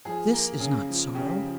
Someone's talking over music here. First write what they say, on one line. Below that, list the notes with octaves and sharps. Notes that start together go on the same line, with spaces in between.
This is not sorrow.
F3 G#4
A#3
C#3 G#4
F3
C#3 G4
F3